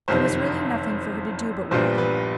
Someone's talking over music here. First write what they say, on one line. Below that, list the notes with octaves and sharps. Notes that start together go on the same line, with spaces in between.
There was really nothing for her to do but wear them.
F#1 F2 C3 D#3 C5
A#1 A#2 G3 B3 D4 C5
B4